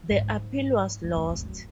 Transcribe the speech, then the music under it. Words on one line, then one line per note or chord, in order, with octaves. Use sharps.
The appeal was lost.
G#2
F#2
E2
E2
F#2